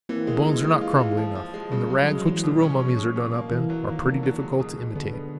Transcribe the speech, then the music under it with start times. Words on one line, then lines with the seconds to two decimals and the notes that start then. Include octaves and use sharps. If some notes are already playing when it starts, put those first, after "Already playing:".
The bones are not crumbly enough, and the rags which the real mummies are done up in are pretty difficult to imitate.
0.09 E3 A#3 C4
0.27 G#3
0.46 E3
0.64 G#3
0.81 F4
1.00 E3
1.17 F3
1.35 F3
1.54 G#3
1.71 C#3 G3
1.89 F#3 G#3
2.07 F#3 G#3
2.25 E3 G#3
2.43 B2
2.62 C#4
2.80 C#4
2.97 B2
3.16 B2
3.34 A#3
3.51 E3 A#3
3.70 F#3
3.88 D#3 A#3
4.06 D3
4.23 F#3
4.42 G#3
4.60 B2
4.78 B2
4.95 D3 B3
5.14 B3